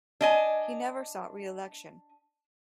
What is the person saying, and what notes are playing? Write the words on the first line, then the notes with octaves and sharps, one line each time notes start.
He never sought re-election.
D4 D#5 G#5